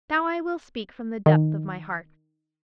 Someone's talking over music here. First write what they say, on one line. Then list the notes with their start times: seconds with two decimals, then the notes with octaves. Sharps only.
But now I will speak from the depth of my heart.
1.26 D#3